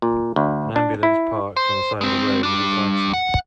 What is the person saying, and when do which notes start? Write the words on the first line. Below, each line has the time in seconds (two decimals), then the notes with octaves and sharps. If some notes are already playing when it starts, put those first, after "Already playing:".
An ambulance parked on the side of a road with its lights on.
0.02 A#2
0.36 D2
0.76 D4
1.03 E4
1.57 C5
2.01 G#3 C4
2.43 G3 D4
3.13 F#5